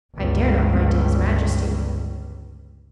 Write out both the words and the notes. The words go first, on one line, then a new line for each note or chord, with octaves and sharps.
"I dare not write to his majesty."
G1 C#2